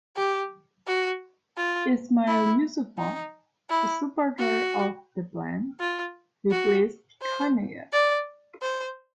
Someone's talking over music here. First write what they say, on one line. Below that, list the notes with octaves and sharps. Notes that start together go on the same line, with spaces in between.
Ismail Yusupov, a supporter of the plan, replaced Kunayev.
G4
F#4
F4
E4
D#4
E4
F#4
F4
F#4
C5
D5
C5